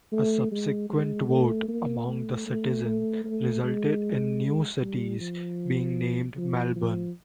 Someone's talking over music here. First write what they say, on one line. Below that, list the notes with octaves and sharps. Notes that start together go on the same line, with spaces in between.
A subsequent vote among the citizens resulted in the new cities being named Melbourne.
A3
G#3
G#3
A3
A#3
A3
A3
A3
A3
G#3
G3
F3
F3
F3